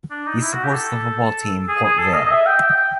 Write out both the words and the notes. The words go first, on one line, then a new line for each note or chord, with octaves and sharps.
He supports the football team Port Vale.
D4
D#4
E4
F#4
G4
A4
G#4
G#4
A4
D#5
D#5
E5
G5
G5
G5